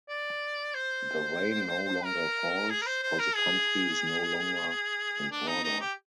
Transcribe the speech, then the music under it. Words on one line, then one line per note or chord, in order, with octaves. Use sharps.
The rain no longer falls, for the country is no longer in order.
D5
C5
A#4
G#4
A#4
C5
C5
A#4
G#4
D4
D#4
D#4
G4